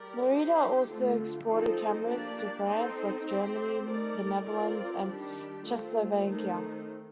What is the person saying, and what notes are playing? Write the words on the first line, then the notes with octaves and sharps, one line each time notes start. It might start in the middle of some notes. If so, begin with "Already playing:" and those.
Norita also exported cameras to France, West Germany, the Netherlands, and Czechoslovakia.
Already playing: G3 G4 A#4 D5
C4 D#4 G4 C5
D3 A3 C4 F4
F3 C4 D#4 A4 C5
A#3 D4 G4 D5
C4 D#4 A4 C5
C4 G4 C5
A3 D#4 A#4 D5
C4 F4 A#4 D5
D#3 G3 D4 G4
A3 C4 F4
D#3 A3 C4 D#4